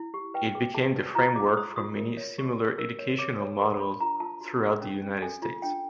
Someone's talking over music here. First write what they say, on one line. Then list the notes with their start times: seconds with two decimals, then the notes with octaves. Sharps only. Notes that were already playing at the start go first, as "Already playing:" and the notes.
It became the framework for many similar educational models throughout the United States.
Already playing: E4
0.14 G4
0.34 B4 G5
0.55 G#4
0.74 G#4 A5
0.96 B4
1.15 F4 A#5
1.36 G#4 D6
1.57 C5 D#6
1.76 F4 D#6
1.97 A#4
2.17 C#5
2.38 G4
2.58 A#4
2.78 A#4 E6
2.99 C#5
3.19 C#5 D6
3.40 C#5
3.59 A#4 C6
3.79 D4 B5
4.00 F4 A#5
4.20 F4 A5
4.41 F#4
4.62 A#4
4.81 C#4
5.02 C#4
5.22 A4 G#5
5.42 F4
5.62 D4 G5